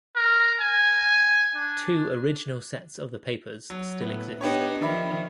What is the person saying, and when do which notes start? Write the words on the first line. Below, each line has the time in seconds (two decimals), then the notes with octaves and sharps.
Two original sets of the papers still exist.
0.16 A#4
0.61 G#5
1.55 D4
3.70 F#3
4.01 A2 B3
4.41 B3 D4 D#4 G4 C#5
4.81 D#3 F3 D5 E5 B5